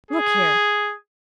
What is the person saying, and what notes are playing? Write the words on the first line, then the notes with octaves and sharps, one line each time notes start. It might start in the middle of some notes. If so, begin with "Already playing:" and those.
"Look here!"
G#4